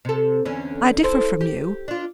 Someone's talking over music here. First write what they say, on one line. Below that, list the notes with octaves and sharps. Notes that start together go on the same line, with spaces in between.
I differ from you.
C3 A4
E2 D3 C#4
E4 A4 C5
G4
D4 F4